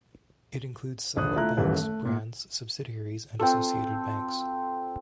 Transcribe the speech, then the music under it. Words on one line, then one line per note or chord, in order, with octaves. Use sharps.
It includes several banks, brands, subsidiaries and associated banks.
D#1 A#1 D3 D#6 F#6
A3 E4 F4 A#5 F#6
D#1 F#2 A2 E3 G3
A3
A#2
C4 F4 A4